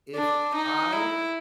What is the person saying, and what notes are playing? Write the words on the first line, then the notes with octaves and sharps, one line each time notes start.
If I
D4
D#4
E4